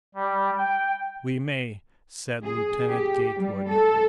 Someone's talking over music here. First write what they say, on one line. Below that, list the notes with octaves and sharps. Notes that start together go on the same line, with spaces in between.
"We may," said Lieutenant Gatewood.
G3
G5
G#4
G4
G3
A4